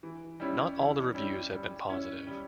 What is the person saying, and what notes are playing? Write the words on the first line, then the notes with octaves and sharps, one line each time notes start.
Not all the reviews have been positive.
E3
G3 C#4 E4
E3
G3 C#4 E4
G3
C#4 E4
G3